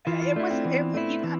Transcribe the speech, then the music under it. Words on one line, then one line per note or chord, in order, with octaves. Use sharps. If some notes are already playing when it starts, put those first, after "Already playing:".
Eh it was i you kn
E3 F4
F4
A3 D4 E4
C4
E3 B3
A3 E4
E3